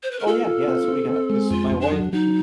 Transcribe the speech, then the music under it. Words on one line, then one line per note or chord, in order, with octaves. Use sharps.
Oh yeah, yeah, that's what we got, 'cause my wife y
C5
B4
A#4
F4 A4
F4
C4
C4
C4
G#3
F2 F4
F2
D4
F#3
F#3 D#4